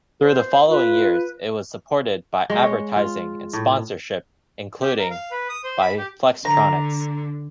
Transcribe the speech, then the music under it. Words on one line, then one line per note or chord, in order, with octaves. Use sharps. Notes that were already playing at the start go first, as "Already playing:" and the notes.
Through the following years it was supported by advertising and sponsorship, including by Flextronics.
C5
F4 B4
G#3
C#5
F4
A2
G4
A#4
F5
B4
D#6
C5
B5
G4
D3 A#5